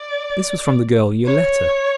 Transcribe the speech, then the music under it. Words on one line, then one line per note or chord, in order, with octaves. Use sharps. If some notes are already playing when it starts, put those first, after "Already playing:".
This was from the girl Yoletta.
Already playing: D5
C#5